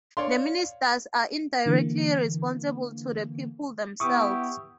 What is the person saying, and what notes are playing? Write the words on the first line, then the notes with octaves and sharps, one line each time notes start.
The ministers are indirectly responsible to the people themselves.
C#5 D5 F5 C6
D3 E3 A#3
B3 E4 G4 C#6 D#6